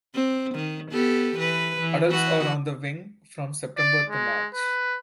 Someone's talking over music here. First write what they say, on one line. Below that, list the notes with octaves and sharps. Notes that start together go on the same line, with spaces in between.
Adults are on the wing from September to March.
C4
D#3
B3 G4 A4
E3 B4
E3
E3 F#4
D5
G#3
B4